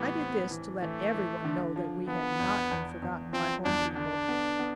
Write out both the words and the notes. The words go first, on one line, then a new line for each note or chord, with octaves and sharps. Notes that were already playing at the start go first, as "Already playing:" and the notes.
I did this to let everyone know that we had not been forgotten by home people.
Already playing: A2 E3 G3 B3
C4
E3
E3 A3
E3
D3
F3
F3 B3
E2
E2
E2
F3 C4
E2 D4
D3 D4
B3
B3